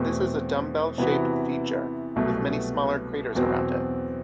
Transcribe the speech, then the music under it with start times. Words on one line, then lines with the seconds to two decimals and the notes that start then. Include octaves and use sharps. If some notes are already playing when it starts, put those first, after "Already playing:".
This is a dumbbell-shaped feature, with many smaller craters around it.
Already playing: E2 B2 A3 C4
0.98 C3 E3 B3 F#4
2.16 C2 B2 F#3 A3
3.35 E2 B2 F#3 C4